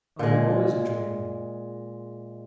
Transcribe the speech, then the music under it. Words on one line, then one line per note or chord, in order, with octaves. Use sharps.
"I am always in training."
A#2 G#3